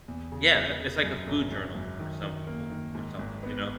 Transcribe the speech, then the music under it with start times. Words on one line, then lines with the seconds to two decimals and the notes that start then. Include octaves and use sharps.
Yeah, it it's, like, a food journal for some people or something, you know?
0.08 E2
0.32 C#3
0.56 C#3
0.80 C#3
1.04 F#2
1.27 G#1
1.51 G#1
1.75 F#2
1.99 D#3
2.23 D#3
2.47 A#3
2.71 D#3
2.95 G#2
3.19 G#1
3.43 B3